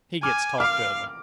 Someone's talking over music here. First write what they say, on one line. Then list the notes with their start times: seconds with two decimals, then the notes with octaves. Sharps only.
He gets talked over.
0.23 G#5 D6 F6
0.60 F5 D6 F6